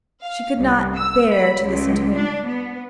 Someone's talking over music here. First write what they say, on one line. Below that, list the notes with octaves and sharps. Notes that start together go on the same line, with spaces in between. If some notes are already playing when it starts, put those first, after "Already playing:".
She could not bear to listen to him.
F5
C2
E6
B5
C#2
D4
B3